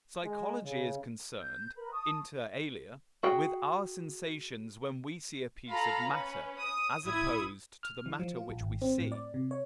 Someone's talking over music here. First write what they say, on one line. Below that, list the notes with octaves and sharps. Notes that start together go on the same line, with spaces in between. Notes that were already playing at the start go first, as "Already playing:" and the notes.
Psychology is concerned, inter alia, with our sensations when we see a piece of matter, as opposed to the matter which we see.
G#3
C#3
G6
A#4 B4 B5
A5 C#6 D#6
F#4 G#4 G5
F4 A4 F5 A#5 B5
C#4 B4
D#6
A1 E4 D#6 G#6
F6
E3
F3
F4
A#1
G#1
C4
A2
D5
C3
C#5